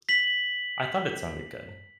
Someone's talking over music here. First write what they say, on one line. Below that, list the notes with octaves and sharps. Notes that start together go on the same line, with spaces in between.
I thought it sounded good.
B6 F#7